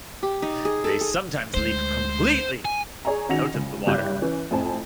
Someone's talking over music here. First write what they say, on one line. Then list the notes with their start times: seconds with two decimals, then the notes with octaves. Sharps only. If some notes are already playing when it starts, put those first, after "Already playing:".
They sometimes leap completely out of the water.
0.23 G4
0.42 D#4
0.65 G#4
0.84 A4
1.01 G#4
1.54 D2 G#3 C5
2.65 G#5
3.05 G#4 C#5 D5 G#5 A#5
3.29 D#3 C#4 F#4 A#6 C#7 F7
3.54 C#2
3.86 F#1 G2 G4 F#6 G6
4.22 E3 C#4
4.51 F2 A2 C4 G#5 A5